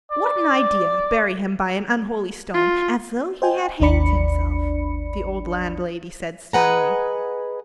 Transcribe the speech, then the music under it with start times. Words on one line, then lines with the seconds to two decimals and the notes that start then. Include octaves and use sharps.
"What an idea, bury him by an unholy stone, as though he had hanged himself!" the old landlady said sternly.
0.12 D5
2.54 F4
3.42 C5 D#5 G5 G#5
3.80 G#1 D#2 D4 D5 B5 C#7
6.53 G#4 B4 D#5 F#5 G#5 A#5